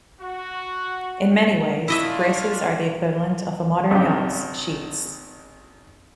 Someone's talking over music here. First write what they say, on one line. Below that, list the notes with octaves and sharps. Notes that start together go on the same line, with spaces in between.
In many ways, braces are the equivalent of a modern yacht's sheets.
F#4
C#4 D4 E4 F4 D#5 E5
G#1 C#2 D4 G4